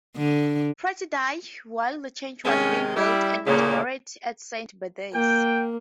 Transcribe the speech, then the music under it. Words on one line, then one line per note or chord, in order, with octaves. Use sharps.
Pratt died while the church was being built and was buried at Saint Bede's.
D3
C3 D#3 G#3 C#4
G3 E4
D2 A#2 C#3 A#3
A#3 G5